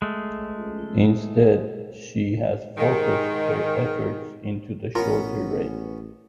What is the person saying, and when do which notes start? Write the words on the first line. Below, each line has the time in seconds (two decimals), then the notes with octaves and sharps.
Instead she has focused her efforts into the shorter race.
0.02 G#3 A3
2.78 G#2 D#3
4.95 A1 B3 C#4 F4 A#4